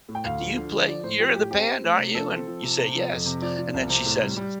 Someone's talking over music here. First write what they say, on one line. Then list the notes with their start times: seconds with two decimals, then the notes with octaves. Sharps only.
"Do you play you're in the band, aren't you?" And you say, "Yes." And then she says,
0.09 A2
0.15 G5
0.24 D2 F5
0.40 F3
0.56 D3
0.73 F3
0.87 F3 D5
1.03 A2 C5
1.20 F3 G4
1.35 A2 G4
1.51 C4 G4
1.67 C4
1.84 A3
1.99 C3
2.15 F3 A4
2.31 C4
2.47 F3
2.63 C3
2.78 C3
2.95 F3
3.10 F2
3.25 C3
3.42 F3 D5
3.58 F3
3.74 C2
3.89 C3
4.06 A2
4.22 G3
4.37 G3